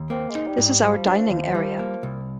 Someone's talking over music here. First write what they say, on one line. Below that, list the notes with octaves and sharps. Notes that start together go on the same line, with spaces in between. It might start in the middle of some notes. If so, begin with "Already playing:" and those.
This is our dining area.
Already playing: D#2
A#3 C4
G#3
D#4
G3
G#2
G3
F3 G3
D4
D#2
G3
A#3
C2